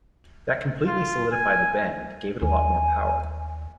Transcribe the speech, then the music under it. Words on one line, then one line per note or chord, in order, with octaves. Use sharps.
That completely solidified the band, gave it a lot more power.
F4
G#5
D#2 G#5